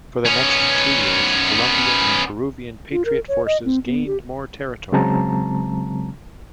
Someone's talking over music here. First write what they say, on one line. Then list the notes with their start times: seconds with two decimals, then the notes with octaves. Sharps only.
For the next two years Colombian and Peruvian patriot forces gain more territory.
0.26 B3 C#4
2.92 F4
3.05 A#4
3.28 C#5
3.46 D#5
3.65 C4
3.86 B3
4.07 G4
4.92 C#3 F#3 G#3 C4 A5 A#5